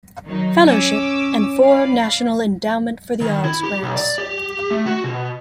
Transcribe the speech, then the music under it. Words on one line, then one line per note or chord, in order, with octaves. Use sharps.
Fellowship, and four National Endowment for the Arts grants.
D#3 F#3 D#4
C#4 D6 E6
D5 F5 B5
D#3
E4
G4
B1
D5
G4
A3
F#4
B2